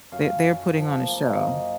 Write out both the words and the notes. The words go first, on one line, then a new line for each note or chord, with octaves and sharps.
They're they're putting on a show.
F#2 F5
F#2
F3
A#3
F#2 D#5